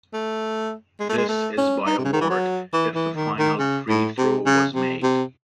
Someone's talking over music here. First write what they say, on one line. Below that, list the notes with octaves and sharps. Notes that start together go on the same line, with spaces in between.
This is by award, if the final free throw was made.
A3
G#3
A3
G#3
A3
C#4
D#4
C3
C#3
D#3
E3
F#3
E3
E3
D#3
D#3
C#3
A2
C3
C#3
C3
C3